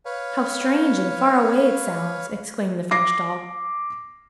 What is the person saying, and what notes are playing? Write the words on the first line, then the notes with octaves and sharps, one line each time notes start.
"How strange and far away it sounds!" exclaimed the French doll.
B4 C#5 F5
D6 A#6 C7